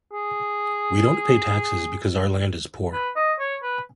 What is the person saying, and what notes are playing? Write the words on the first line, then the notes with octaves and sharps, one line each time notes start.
We don't pay taxes because our land is poor.
G#4
B4
D#5
C#5
B4